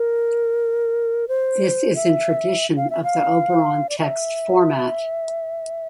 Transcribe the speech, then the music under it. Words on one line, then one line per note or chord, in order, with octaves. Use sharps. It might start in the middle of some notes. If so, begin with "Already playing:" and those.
This is in tradition of the Oberon Text format.
Already playing: A#4
C5
E5
F5
E5
F5
D5
E5